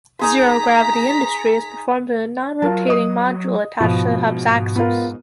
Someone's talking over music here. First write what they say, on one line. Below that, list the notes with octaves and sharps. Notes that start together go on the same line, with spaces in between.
Zero-gravity industry is performed in a non-rotating module attached to the hub's axis.
D#4 G#4 A#5 C6 B6
F#3 F4 A#4 A5
D#5 D#6
G#2 B2 F3
B3 F4 A#4